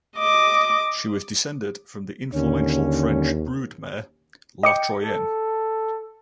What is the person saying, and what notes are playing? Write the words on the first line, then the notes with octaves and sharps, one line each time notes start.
She was descended from the influential French broodmare La Troienne.
D#5 D6
D#2 D3 C#4
D#5 G5 D6 C#7
A4